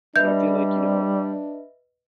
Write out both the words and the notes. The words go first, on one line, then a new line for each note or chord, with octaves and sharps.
but I feel, like, you know,
G3 D4 B4 D#5 E5 G6